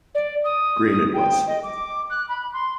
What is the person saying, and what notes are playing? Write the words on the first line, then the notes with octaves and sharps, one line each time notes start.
Green, it was.
D5
D#6
D#6
G5
D#5
D6
F#6
B5
C6